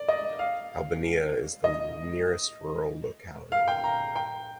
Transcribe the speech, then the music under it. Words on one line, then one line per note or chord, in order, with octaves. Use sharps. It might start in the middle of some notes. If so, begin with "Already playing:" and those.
Albaniya is the nearest rural locality.
Already playing: D5
D#5
F5
D#5
F5
G5
A#5
G5